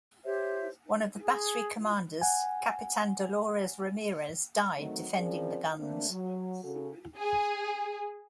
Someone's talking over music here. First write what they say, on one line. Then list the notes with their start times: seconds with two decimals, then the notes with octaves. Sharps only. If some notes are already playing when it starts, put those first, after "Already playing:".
One of the battery commanders Capitan Dolores Ramires died defending the guns.
0.24 G4 C5 C#5 E5
1.21 G#4
2.21 F#5 G#5
4.78 D#3 F#3 A3 C4 D#4
5.17 F3 C4 C#4 G#4 A#4 D5
5.78 D3 A3 A#3 C4 D4
6.10 F#3
6.63 C#3 F#4 A4
7.19 G#4